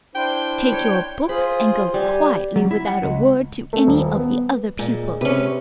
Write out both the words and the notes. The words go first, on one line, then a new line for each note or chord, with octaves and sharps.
Take your books and go quietly without a word to any of the other pupils.
D4 E4 C5 G5
C#5
F4 G#4 C5 B5
G3 G4 G#5
F#3
E4
F#5
C#2
A3
D#1
B3
A#2 G#3
C3 C#4 B4